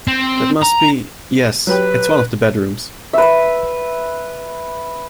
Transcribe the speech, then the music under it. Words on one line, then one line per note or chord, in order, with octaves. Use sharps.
That must be — yes — it's one of the bedrooms.
C4
A#5
F#3 G4 B4
B4 E5